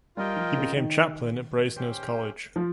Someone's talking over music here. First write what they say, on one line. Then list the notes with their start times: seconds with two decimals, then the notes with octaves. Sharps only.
He became chaplain at Brasenose College.
0.17 G3 F4 A#4 D#5 G5
0.36 F3
0.57 C#3
0.76 D#3
1.76 C#4 G4 C5 G5
2.56 F3